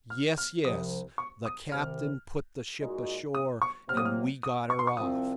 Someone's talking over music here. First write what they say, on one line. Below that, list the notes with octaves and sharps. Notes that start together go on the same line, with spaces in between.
"Yes, yes; the captain put the ship ashore and we got her off."
F6
F6
C2 C3 F3 D#6
C#6
D#6
C2 C3 D#3 F6
A#2 G#3 D#4 F#4
D#6
C#6
C3 F#3 A#3 F6
D#6
F6
D#6
C#6
C6
C#6
C2 C3 F3 C4 D#6